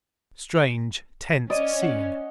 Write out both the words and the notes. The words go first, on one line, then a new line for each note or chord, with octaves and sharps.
Strange, tense scene.
C#4 D5 D#5 D#7
F#5